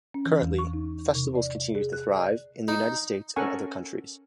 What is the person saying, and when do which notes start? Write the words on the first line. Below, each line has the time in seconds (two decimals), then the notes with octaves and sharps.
Currently, festivals continue to thrive in the United States and other countries.
0.14 C#4
0.26 E3
0.42 E2
0.59 C#6
0.73 D#4
1.15 C3
1.35 D5
1.75 G#4
1.93 F#6
2.17 D5
2.68 D#4
3.36 C#4 A4 A#4 F#5 G#5 C#6